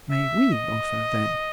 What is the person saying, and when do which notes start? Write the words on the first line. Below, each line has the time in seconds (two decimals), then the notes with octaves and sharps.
"May we offer, then?"
0.11 E5
0.52 D#5